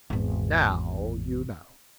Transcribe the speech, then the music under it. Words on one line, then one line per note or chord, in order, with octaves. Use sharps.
Now you know.'
G#1 E2